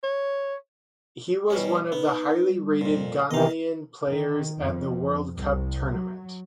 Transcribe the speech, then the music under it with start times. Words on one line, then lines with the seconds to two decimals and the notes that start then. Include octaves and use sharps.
He was one of the highly rated Ghanaian players at the World Cup tournament.
0.03 C#5
1.50 B2 G3 C#4
1.70 C#5
1.92 B3 D#4
2.49 G3
2.81 F2 A#2
3.31 C3 D#3 E3 B3 D#5 F5
4.07 D#3
4.58 F2
5.34 C2
5.89 F#3